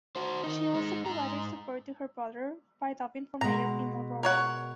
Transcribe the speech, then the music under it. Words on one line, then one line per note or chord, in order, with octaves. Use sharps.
She also provided support to her brother by dubbing for major female roles.
F#4 C5
D#3 D#4
G#3 D#4
G#2 A#5
B2 G#3 A#5
A#4 C#5 F#5